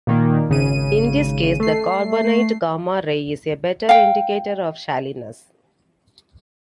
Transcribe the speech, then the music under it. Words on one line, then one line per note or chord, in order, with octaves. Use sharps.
In this case, The carbonate gamma ray is a better indicator of shaliness.
A#2 D#3 A#3
G#1 C#3 D#7
A3 C7
F5 G5